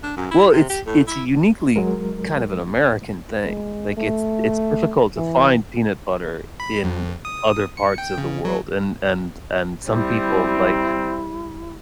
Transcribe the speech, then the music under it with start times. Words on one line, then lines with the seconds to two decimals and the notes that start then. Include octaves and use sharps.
Well, it’s it’s uniquely kind of an American thing. Like, it’s it’s difficult to find peanut butter in other parts of the world, and and and some people, like,
0.04 D4
0.17 F#2
0.31 E4
0.52 C3
0.69 G4
0.86 A2
1.07 E4
1.76 F#3 G#3 A#4
3.45 G#3
3.97 A3
5.17 E3
6.60 B5
6.84 F2
7.25 D#6
7.77 C#7
7.98 G5
8.18 C#3
8.45 F#3
9.87 G3 C4 E4